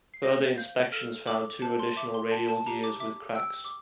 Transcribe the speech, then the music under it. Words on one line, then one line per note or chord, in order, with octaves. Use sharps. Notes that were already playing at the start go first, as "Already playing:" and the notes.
Further inspections found two additional radial gears with cracks.
C7
C5 A#6
F5 G6
A4 F6
A4 D6
C5 A5
C6
E5 D6
C6
G5 A5
A5
G4 A#5
D6
E5 D6
G5 E6
D6